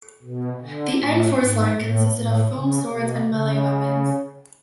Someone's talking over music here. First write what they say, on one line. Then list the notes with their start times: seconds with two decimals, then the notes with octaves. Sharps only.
The N-Force line consisted of foam swords and melee weapons.
0.23 B2
0.60 D3
0.99 A2
1.37 G#2
1.76 A2
2.14 A2
2.52 C#3
2.91 B2
3.29 C#3